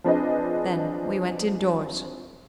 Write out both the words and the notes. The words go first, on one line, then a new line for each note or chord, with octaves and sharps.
Then we went indoors.
F3 C4 D4 G#4 B4 D#5